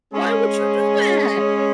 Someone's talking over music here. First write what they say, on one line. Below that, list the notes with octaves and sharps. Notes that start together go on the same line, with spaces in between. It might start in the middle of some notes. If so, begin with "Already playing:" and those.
Why would you do that?"
G#3 C#4 G#4